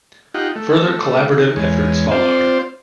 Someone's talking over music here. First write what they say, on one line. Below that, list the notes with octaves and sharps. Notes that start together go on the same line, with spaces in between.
Further collaborative efforts followed.
D#4 F4 G4 F#5
A3
D#3
E2 G#3 C#4
C4 F4 C5 D5